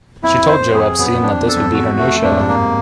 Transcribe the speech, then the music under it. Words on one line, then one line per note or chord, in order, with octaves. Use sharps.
She told Joe Epstein that this would be her new show.
F2 E4
C5
F2 G#4
F#2 B3
F2 D4
E2
A4
F2
E2 F#4
A3
F2 D4
G#2
G2
A#3